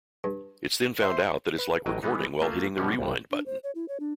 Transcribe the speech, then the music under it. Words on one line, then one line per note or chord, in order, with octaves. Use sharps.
It's then found out that it's like recording while hitting the rewind button.
G2
C5 E5
B4
A1 A2 F#3 D#5 G5
E3 G#3 B3 D#4
A3 A#3 F4
B2 F3 G3 G#3 C#4
C2 G2
D4
C5
C#5
E4
C#5
D4